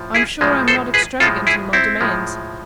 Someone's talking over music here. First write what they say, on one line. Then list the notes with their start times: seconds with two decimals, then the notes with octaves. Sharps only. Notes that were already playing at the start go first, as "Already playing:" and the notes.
I am sure I am not extravagant in my demands.
Already playing: A2 F3
0.15 E4 G#4
0.41 A2 F3 G#3
0.68 A4 C5
0.94 G#4 B4
1.20 A2 F3 G#3 F4 A4
1.47 E4 G#4
1.73 C4 E4
2.01 A2 F3 G#3